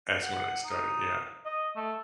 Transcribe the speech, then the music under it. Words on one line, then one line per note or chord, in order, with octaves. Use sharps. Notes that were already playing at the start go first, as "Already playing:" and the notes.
as when I started, yeah.
F#5
D#4
D#5
A3